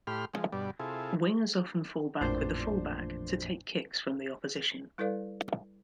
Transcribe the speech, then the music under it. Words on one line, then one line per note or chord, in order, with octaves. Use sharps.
Wingers often fall back with the fullback to take kicks from the opposition.
A2 G4 B5 C6 F6
F3 G#3
G2 B2 G3 D5
C3 E4 F4 G#4 A4
A1 F2 A#2 D4 C5
G3 E4 A4 B4 D5 F5